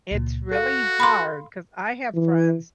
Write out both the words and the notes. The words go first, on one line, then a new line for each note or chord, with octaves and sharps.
it's really hard 'cause I have friends
C#2 A#2
F#4 A4 F5
B5 C6
E3